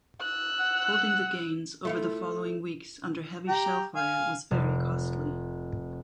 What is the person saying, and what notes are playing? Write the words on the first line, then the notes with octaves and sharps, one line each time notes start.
Holding the gains over the following weeks under heavy shellfire was very costly.
E6 F#6
F#5
A3 E4 F4
G4 G5 A#5
F5 G#5
F1